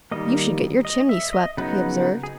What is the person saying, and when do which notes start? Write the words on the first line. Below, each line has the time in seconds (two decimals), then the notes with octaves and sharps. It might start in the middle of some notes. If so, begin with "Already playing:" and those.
"You should get your chimney swept," he observed.
0.11 D#3 G3 A#3 D#5
0.85 D#5
1.09 E5
1.33 D#5
1.57 C#3 F#3 B3 D#4 B4
2.23 G#4